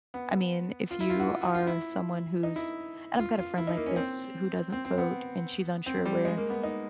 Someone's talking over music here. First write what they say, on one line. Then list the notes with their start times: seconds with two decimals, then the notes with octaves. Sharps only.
I mean, if you are someone who's and I've got a friend like this who doesn't vote, and she's unsure where
0.14 B3
0.91 F4
1.00 E4
1.10 F4
1.20 F#4
1.42 F#4
1.54 F4
1.67 E4
2.43 D#4
2.56 E4
3.19 F4
3.39 F4
3.58 E4
3.67 D#4
3.77 A#3
3.86 C#4
3.96 C4
4.72 C4
4.85 C4
4.98 B3
5.86 C4
6.06 G3
6.25 G#3
6.37 A#3
6.50 B3
6.63 D#4